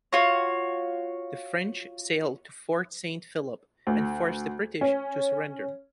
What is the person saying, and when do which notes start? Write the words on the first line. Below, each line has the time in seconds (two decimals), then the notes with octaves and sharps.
The French sailed to Fort Saint Philip and forced the British to surrender.
0.13 F4 F#4 C#5
3.87 D2
4.81 C#4